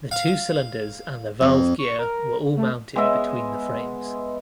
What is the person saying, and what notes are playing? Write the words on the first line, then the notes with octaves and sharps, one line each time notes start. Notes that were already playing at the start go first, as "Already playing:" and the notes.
The two cylinders and the valve gear were all mounted between the frames.
F5
F2
C#6
A#4
A3
G#3 B3 D#5 E5